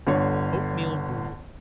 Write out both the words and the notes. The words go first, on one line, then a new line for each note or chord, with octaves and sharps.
Oat-meal Gruel.
G1 D3 C#5